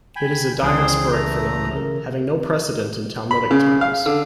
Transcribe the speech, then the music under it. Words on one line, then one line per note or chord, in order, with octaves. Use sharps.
It is a diasporic phenomenon, having no precedent in Talmudic times.
G5 G#5 B5
C#2 C#3 E3 G#4 C5 G5
A3 A#5
C#3 A#4
B5
C#3
F5
D3